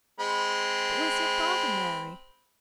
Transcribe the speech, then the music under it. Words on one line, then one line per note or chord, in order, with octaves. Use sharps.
But where's your father, Mary?'
G#3 C4 B5